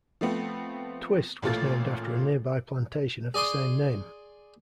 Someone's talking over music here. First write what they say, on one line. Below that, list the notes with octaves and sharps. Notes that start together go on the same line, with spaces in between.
Twist was named after a nearby plantation of the same name.
F3 A3 B3 C4
A1 A#2 A3 F4 A4 A6
G#4 D5 C6 D#6